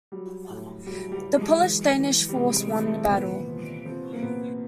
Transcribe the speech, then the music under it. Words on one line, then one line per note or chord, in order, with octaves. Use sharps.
The Polish-Danish force won the battle.
F#3 G3
A2
F#3 G3
G3
F#3
G#3
E3
E3
G3
C3 G#3
G#3
G3
E3 G#3
A3
C4
A#2 B3
F3
F3 C4
A#3
A#2 B3